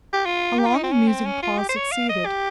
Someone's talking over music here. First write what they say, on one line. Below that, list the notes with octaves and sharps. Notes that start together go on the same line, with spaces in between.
A long and musing pause succeeded.
G4
F4
G4
F4
D#4
C4
C#4
C4
C#4
F4
G4
C5
C#5
F5
D#5
G4